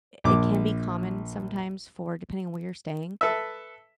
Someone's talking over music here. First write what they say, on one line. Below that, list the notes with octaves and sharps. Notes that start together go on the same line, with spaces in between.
it can be common sometimes for depending on where you're staying,
A#1 D6
A4 B4 E5